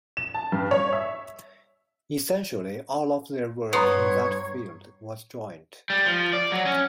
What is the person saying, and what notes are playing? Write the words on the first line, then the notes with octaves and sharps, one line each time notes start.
Essentially all of their work in that field was joint.
E7
A5
G2
C#5
E5
G2 B3 C#5 A#5 C6 C7
G3
F3
D5
F#3
C#4